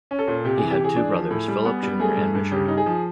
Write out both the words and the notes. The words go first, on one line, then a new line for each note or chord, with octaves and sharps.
He had two brothers, Philip Junior and Richard.
C#4
A4
A#2
C3 G4
E3 G#4
G4
E3 G#4
D4
F3
A2
G3
B3
G3
A3 G#4
G2
G2
C#3 G4
D#4
G#4
F3